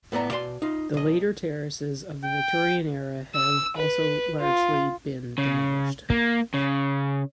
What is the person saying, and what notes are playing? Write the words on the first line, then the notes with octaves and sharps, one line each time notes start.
The later terraces, of the Victorian era, have also largely been demolished.
A2 B3 D5 A#5
B2 D5 G5 C6
D#4 F4
B1 D#5
G5
E6
B4
F4
C#3
A#3
C#3